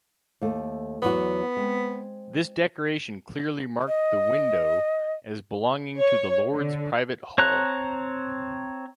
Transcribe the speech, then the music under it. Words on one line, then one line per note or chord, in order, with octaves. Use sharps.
This decoration clearly marked the window as belonging to the lord's private hall.
D#2 A3
E2 F#3 B3 F#4
G#3 C4
D#5
C#5
D3
C4 C#5 A5 A#5 F#6